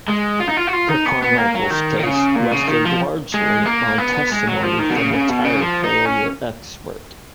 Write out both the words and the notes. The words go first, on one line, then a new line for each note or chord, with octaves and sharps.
The Carmichaels' case rested largely on testimony from a tire failure expert.
G#3
F4
D#4
F4
F#4
F4
D#4
B3
B3
A#3
F#3
D#3
D#3
C#3
A#2
C#3
D#3
F3
G#3
A#3
B3
G#3
F#3
F3
D#3
B2
C#3
C#3
B2
C#3
F3
D#4
C#4